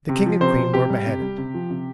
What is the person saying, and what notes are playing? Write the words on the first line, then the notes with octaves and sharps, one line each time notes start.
The king and queen were beheaded.
C3
F3
C3 C5
F3
C3 G4
G3
C3
G3
C3
F3
C3